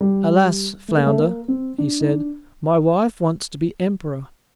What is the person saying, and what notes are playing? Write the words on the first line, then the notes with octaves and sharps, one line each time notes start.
"Alas, flounder," he said, "my wife wants to be emperor."
G3
A3
A#3
A3
A#3
C4
D4
D#4
D4